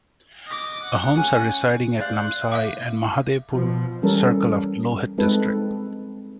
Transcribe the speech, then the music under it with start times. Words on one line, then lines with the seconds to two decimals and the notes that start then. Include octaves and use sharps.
Ahoms are residing at Namsai and Mahadevpur circle of Lohit district.
0.47 D#5 D6
0.83 F#5
1.16 C#4 A#4 G#5
2.00 C5 D5 F5 F#6
2.52 E5 F5 D6
3.52 B2 F3
4.02 E3 G3 C#4 A4 A#4
5.18 G#3 C4 D#4 A4 B4